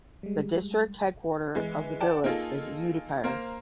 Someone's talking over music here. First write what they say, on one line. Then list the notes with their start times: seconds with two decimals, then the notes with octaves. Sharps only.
The District head quarter of the village is Udaipur.
0.23 G3 G#3
1.55 E3 G#3
2.00 D5 F#5 G5 A5
2.24 A#3 D#4 F4 G#4 A4
3.24 A#3 C5 F5 A#5